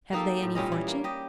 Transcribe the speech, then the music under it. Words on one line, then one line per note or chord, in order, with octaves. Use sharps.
"Have they any fortune?"
A#3 D#4 G4 A4
A2
A#2 G3 C#4 D#5
E3
A#3
G4 D#5